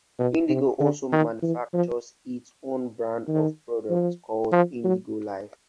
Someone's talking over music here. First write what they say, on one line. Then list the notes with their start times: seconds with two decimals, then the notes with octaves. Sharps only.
Indigo also manufactures its own brand of products, called IndigoLife.
0.19 B2
0.50 C3
0.80 D3
1.12 D#3
1.42 E3
1.74 F3
3.28 D#3
3.90 F3
4.52 F3
4.84 F#3